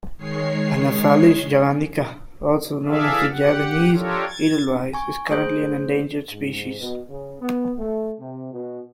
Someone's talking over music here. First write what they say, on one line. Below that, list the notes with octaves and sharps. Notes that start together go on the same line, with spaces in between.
"Anaphalis javanica", also known as the Javanese Edelweiss, is currently an endangered species.
D#3 G#3 C#5 C7
E3 G#4 A4 D5 E5 F5
G4 F#5
D4 F4 G4 A4 A#4 C#5
G#6 A6
G#5 C#6
A3 G#4 C5 G6
G#2
B2
C#3
B3
A3
C3
B2